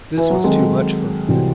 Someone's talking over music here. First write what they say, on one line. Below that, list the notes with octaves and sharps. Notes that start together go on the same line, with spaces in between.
This was too much for her.
E3
F#3
D#3 F#3 G#3 C4 D#4 A4
C2 C3 E3 C4 F#4